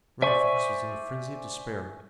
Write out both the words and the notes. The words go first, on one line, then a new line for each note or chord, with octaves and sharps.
Running Fox was in a frenzy of despair.
C5 D5 E5 G#5 C#6